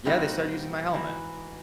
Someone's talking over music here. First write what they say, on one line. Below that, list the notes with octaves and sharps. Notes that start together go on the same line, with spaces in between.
yeah, they started using my helmet.
A#2 G3 C4 D#4 F#4
G#2 E3 F#4